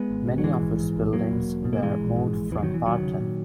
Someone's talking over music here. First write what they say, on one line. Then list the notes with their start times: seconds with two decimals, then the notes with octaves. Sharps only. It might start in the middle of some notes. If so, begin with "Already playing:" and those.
Many of its buildings were moved from Parton.
Already playing: G#3 B3
0.11 G#1
0.27 C#3
0.38 F#3
0.44 G#2 E3 G#3
0.62 A#1
0.79 G#2
0.96 A#1
1.13 E2 F#3 A#3
1.31 E1
1.48 E1
1.65 B2
1.73 A#3
1.82 G#2 E3 G#3
2.00 A#1
2.16 G#2
2.34 A#1
2.51 E2 E3
2.58 G#3
2.63 D#3 F#3
2.69 E1 E3
2.85 E1 D#3 F#3
3.03 C#3
3.20 A#2